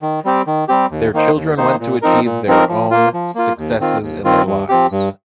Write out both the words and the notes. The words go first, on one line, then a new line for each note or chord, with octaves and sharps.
Their children went to achieve their own successes in their lives.
D#3
G3 C4 G4
D#3
G3 C4 G4
D#2
D#3 A#3 D#4 C5
D#2
D#3 A#3 D#4 C5
A#2
F3 C4 D#4 A#4
A#2
F3 C4 D#4 A#4
F3
A#3 F4
F3
A#3 F4
D#2
D#3 C4 F4
D#2
D#3 C4 F4
G2
F3 C4 G4
G2